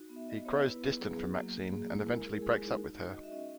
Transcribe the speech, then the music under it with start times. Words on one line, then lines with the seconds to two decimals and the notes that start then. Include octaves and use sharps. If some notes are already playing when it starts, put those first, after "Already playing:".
He grows distant from Maxine and eventually breaks up with her.
Already playing: D#4 F#4
0.09 B3
0.16 E5
0.28 B3 D#5
0.45 B3 C#5
0.63 E4 B4
0.82 B3
0.99 F#3 G#4
1.12 G#4
1.17 F#3
1.23 F#4
1.35 A#3
1.53 A#3
1.72 A#3 G#4
1.89 E4
2.06 G#3 A#4
2.24 G#3 G#4
2.42 G#3 G#4
2.61 D#4
2.78 F#4
2.97 F#4
3.14 F#4 D#5
3.23 E5
3.32 C#4 D#5